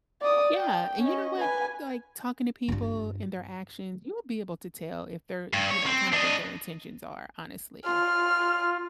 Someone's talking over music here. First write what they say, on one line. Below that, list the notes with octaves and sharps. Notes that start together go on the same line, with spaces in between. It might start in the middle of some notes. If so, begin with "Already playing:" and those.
Yeah, and you know what? Like, talking to people and their actions, you will be able to tell if they're you know, kinda what their intentions are, honestly,
D5 D#6
G5
C#4 D#5
B4 G#5
G2 F4
G2
C#5
C4
D4 D#5
F4 F6